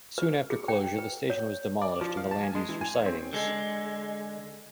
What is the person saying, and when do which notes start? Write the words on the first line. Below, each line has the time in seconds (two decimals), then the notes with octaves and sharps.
Soon after closure the station was demolished and the land used for sidings.
0.18 B4
0.50 G#4
0.68 G5
0.99 B4
1.30 C#5
1.82 D5
2.01 F3
2.17 F5
2.31 A5
2.43 G#5
2.55 G#3
2.69 E3
2.81 G#5
2.95 C#5
3.06 C4
3.33 D3 G#3